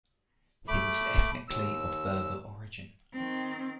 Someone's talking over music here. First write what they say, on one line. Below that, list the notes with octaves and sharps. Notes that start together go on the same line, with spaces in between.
He was ethnically of Berber origin.
A3 B5 D6
D#2 E6
D#3 C4